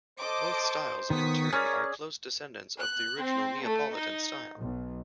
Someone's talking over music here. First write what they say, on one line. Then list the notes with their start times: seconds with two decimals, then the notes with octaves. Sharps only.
Both styles in turn are close descendants of the original Neapolitan style.
0.20 A4 C5 D#5 D6
1.10 D#3 B3 C#6 D#6 B6
1.53 C#4 G#4 A#4 C#5 D5
2.79 F#6
3.19 C4
3.64 A3
3.94 D#4
4.56 B1